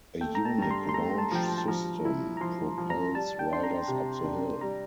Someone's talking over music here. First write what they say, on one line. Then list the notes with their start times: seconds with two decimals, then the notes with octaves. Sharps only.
A unique launch system propels riders up the hill.
0.21 A3 G5
0.35 A#5
0.45 A5
0.58 G2 A#5
0.71 C6
0.89 C6
0.94 A3 A#5
1.18 A5
1.31 F3 G5
1.43 A5
1.58 A5
1.68 F3 A#5
2.05 E4
2.37 A#5
2.41 F3 C6
2.78 F3
2.90 A#5
3.14 G3 A5
3.39 G5
3.51 D4 C6
3.63 A#5
3.88 C3
4.24 D4
4.61 G3 A#5